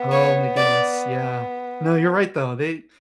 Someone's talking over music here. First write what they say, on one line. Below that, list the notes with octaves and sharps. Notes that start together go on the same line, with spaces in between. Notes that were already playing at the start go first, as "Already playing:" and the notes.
Oh my goodness, yeah, no, you're right though, they
Already playing: B3
C#5
D5